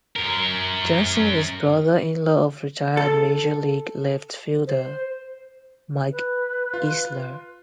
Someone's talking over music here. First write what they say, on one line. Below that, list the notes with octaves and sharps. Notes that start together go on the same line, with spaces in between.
Johnson is brother-in-law of retired Major League left fielder Mike Easler.
F#2 A#4
A4
C5
B4
F4